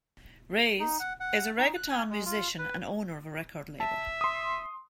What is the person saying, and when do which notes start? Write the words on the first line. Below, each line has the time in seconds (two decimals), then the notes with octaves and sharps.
Reyes is a reggaeton musician and owner of a record label.
0.80 D#4
1.00 F#5
1.20 F#5
1.58 D#4
1.76 F#6
1.90 G#5
2.10 G#3
2.26 F4
2.59 B4
3.80 E5 A5
4.21 C6 D#6